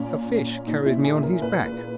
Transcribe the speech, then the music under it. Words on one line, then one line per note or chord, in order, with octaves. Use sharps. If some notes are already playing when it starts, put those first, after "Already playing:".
'A fish carried me on his back.'
Already playing: A#2 C#4
A#2 D#4
E4
G#4
A#4
A#2 B4
B4